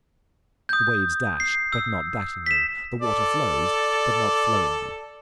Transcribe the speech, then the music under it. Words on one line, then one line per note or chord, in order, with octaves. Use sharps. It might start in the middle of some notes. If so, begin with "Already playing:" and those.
The waves dash, but not dashingly, the water flows, but not flowingly.
D#6 G6
C7
E6
B6 E7
A4 D5